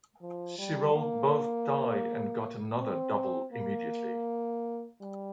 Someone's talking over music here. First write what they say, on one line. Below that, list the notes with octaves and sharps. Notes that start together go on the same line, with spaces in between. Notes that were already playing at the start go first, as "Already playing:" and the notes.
She rolled both die and got another double immediately.
F3
G3
A#3
C4
A#3
G3